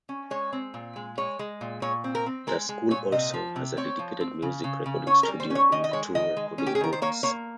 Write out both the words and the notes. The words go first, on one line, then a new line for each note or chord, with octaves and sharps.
The school also has a dedicated music recording studio with two recording booths.
C#4
G#3 C#5
C4
A#2
G#3
G#3 C#5
G#3
A#2
A#2 C#5
C4
A#4
C4
G#3 A#4
G#3
A#2 C#5
C3 D#5
F3
C3
C4 C#5
F3
C4
C#3
C#3
C#3
C#4 C#5
A#4
G3
C5
C#4 C#5
D#3 D#5
D#5
G#3 C#5
D#3 D#5
G#3
C#4
G4
G#4
D#3 A#4
C5
A#3 C#5
A#3 C#5